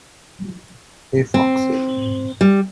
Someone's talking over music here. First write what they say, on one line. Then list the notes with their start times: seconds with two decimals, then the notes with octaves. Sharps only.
Hey Foxy!
1.34 C4
2.41 G3